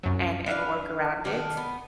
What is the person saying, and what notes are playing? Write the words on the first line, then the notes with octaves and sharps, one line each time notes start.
and and work around it.
C2 F#2 F#3
D4 B4 F5
D#3 D4
B3